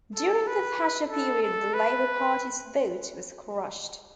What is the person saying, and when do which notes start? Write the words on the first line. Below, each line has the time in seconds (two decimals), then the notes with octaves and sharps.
During the Thatcher period the Labour Party's vote was crushed.
0.16 A4
0.47 B4
1.10 A4
1.43 A4
1.74 B4